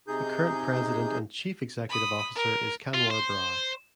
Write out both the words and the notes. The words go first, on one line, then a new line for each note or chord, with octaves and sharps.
The current President and Chief Executive Officer is Kanwar Brar.
C3 D#4 G#4 G6
B5 D#6
A#4
F4
C5